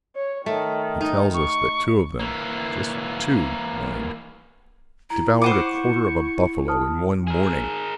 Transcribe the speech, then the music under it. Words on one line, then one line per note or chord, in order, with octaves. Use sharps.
He tells us that two of them--just two mind--devoured a quarter of a buffalo in one morning.
C#5
D#3 A3
D#4
C#6
E3 A#3
E4 A#5
C5 F#5 B5 C#6 D6 D#7 E7
A5 D#6 F6
G#4 A#4